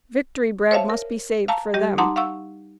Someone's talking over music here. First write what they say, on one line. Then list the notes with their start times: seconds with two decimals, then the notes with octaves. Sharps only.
Victory bread must be saved for them.
0.71 C5 C#5 E5 F5 A5
0.90 A#4
1.48 F5 A5 A#5
1.74 G3 G4 D#5
1.98 D#4 F#5 A5 A#5 C6 D6
2.16 F5 F#5 C#6 E6